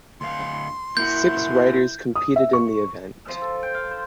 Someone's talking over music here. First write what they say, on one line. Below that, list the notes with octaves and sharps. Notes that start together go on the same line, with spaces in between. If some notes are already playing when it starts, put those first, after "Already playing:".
Six riders competed in the event.
D2 F5 C6
A#3 E4 F#4 G6
D#6
E5
C#6
F3
A4
G5
F5
C5